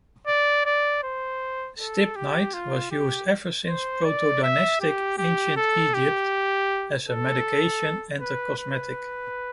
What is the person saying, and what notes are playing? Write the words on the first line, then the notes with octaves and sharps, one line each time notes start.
Stibnite was used ever since protodynastic Ancient Egypt as a medication and a cosmetic.
D5
D5
C5
A4
G4
F4
G4
C5
D5
E5
G4
G4
A4
G4
A4
B4
B4